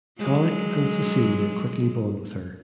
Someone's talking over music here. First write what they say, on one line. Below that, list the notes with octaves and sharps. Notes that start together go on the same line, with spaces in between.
Alec and Cecilia quickly bond with her.
F#3 G#3